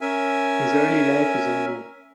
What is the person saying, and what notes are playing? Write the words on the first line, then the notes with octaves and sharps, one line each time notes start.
Her early life is unknown.
C#4 A#4 E5 G#5